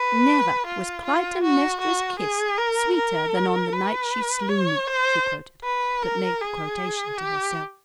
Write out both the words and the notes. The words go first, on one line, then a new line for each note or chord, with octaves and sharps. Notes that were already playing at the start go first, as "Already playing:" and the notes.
"Never was Clytemnestra's kiss sweeter than on the night she slew me," she quoted, but made the quotation to herself.
Already playing: B4
F4
F4
F#4
F#4
G#4
A#4
A#4
B4
C#5
C5
B4
A#4
G#4
G4